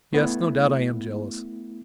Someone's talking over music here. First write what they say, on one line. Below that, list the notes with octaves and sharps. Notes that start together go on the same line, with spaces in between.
Yes, no doubt I am jealous.
A3 B3 E4